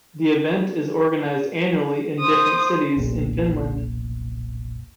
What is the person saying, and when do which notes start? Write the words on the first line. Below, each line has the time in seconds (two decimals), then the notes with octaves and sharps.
The event is organised annually in different cities in Finland.
2.20 C5 D#6
2.96 F1 B1 A#2